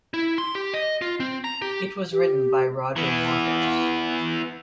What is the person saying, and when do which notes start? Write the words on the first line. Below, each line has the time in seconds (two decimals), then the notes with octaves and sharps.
It was written by Roger Waters.
0.14 E4
0.38 C6
0.55 G4
0.74 D#5
1.02 F4
1.20 C4
1.44 A#5
1.62 G4
2.13 G4
2.96 E3 B3